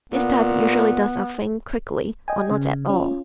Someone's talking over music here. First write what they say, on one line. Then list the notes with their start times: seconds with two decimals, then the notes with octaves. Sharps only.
This type usually does a thing quickly or not at all.
0.12 A#2 B3
2.28 D#5 G5 G#5
2.51 C#3
2.89 C#4 F4